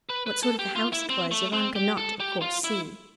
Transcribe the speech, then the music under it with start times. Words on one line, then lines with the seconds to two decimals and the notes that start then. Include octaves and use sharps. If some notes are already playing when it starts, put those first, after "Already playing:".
What sort of a house it was Yvonne could not, of course, see.
0.09 B4
0.27 B4
0.43 A4
0.59 G4
0.76 F4
0.93 E4
1.10 C4
1.31 A3
1.53 C4
1.75 G4
1.97 A4
2.20 G4
2.41 F4
2.64 E4